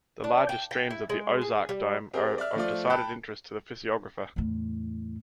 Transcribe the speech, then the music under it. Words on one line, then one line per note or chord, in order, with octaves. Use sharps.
The larger streams of the Ozark dome are of decided interest to the physiographer.
D4
G5
G5
E4
G#3
G#4
G3
C4 G4 G#4 A#4
D5 E5 F6
F3 A3 F4 D5
G5 A5 B5 F#6
E2 A2